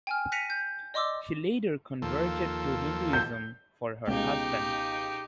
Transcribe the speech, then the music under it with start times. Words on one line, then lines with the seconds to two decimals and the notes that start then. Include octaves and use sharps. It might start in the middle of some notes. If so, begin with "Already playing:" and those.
She later converted to Hinduism for her husband.
0.07 G5 G#5 F6
0.32 F#6 A#6 B6 C#7 D#7 F7
0.50 G6
0.94 D5 D#5 C6 D6 E6
2.02 D#2 F3 A4
3.13 G6
4.07 C#2 B2 D#4 G4